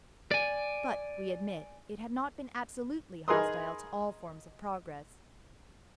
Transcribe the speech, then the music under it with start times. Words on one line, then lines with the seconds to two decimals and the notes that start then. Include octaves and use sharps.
But, we admit, it had not been absolutely hostile to all forms of progress.
0.31 D5 G#5
3.28 D#4 G#4 A#4 B4 C6 D#6